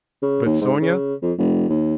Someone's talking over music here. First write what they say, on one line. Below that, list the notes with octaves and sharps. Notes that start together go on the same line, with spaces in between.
But Sonya?
C#3
D#2
G#2
C#3
F2
F1
D#2